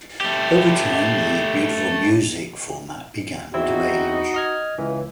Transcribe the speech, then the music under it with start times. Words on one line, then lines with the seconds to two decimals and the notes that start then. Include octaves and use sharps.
Over time, the Beautiful music format began to age.
0.21 A3 G4
3.54 E2 C4 D#4 E4 F#4
4.34 D#5 F6 G#6
4.78 C#2 E3